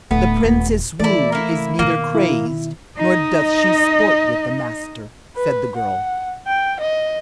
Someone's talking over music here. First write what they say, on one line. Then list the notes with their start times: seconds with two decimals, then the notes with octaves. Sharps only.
"The Princess Woo is neither crazed nor doth she sport with the master," said the girl.
0.11 D1 A3 B3
0.44 D#1
1.00 E3 A3 E4 D5
1.32 A#3 E4
1.79 B2 D#3 A#3
2.15 E4
2.98 D#4 D#5
5.36 B4
5.77 F#5
6.47 G5
6.80 D#5